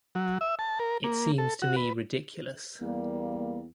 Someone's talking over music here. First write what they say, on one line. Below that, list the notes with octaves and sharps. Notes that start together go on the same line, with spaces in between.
It seems to me ridiculous.
F#3
E5
A5
A#4
A#3
A4
F#4
B4
E2 G3 A#3